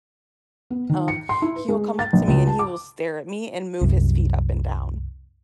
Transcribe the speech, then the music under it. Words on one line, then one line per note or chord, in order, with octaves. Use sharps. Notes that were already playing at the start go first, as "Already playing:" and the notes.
um, he'll come up to me and he will stare at me and move his feet up and down.
B3
D#3
C#7
C6
E4
B4
G#3
A6
A#1
C#2
A5
D6
C2 F#2